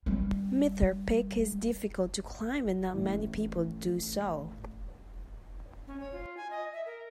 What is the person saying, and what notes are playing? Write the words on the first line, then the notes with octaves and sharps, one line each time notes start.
Mitre Peak is difficult to climb and not many people do so.
G3 D4
A2 E3
C#4
C#5
F4
G#5
D#5
E5
A#4